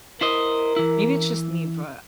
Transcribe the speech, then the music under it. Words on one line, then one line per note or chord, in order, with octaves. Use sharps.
maybe it's just me, but
E4 A#4 C5 D#5
E3 E4